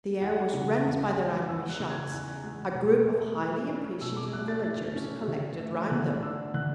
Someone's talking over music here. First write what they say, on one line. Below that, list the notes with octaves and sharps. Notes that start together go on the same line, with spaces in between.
The air was rent by their angry shouts. A group of highly appreciative villagers collected round them.
E2 F#5
C#3
E2
G#3
E2 E6
F#6
C#3
G#6
E2 F#6
G#3
B2
A3
E4
C#4
B2 E6
D6
A3 F#6
A6
E4 A6
C#4
D3
A3
D3 F#6
D4 E6
D3 F#6